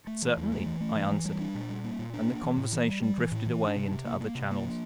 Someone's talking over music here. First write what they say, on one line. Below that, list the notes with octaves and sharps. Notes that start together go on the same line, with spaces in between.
"Certainly," I answered, and the conversation drifted away into other channels.
A3
E3
E2
A3
E3
A3
E3
E3
G3
D4
A#2
G3
A#3
A#2
D4
A#3
E3
A2
E3
G3
G3
E3
A2
E3
D4
C3
C3
A#3
A#3
C3
A#3
F3